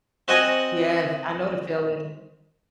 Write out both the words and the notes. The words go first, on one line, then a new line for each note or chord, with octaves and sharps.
Yes. I know the feeling.
C4 F#4 D#5 F#5 G#5